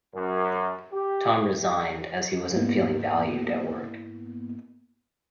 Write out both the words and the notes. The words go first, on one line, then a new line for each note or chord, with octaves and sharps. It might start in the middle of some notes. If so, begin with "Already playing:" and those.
Tom resigned, as he wasn't feeling valued at work.
F#2
G4
G#2 A#3 B3 E4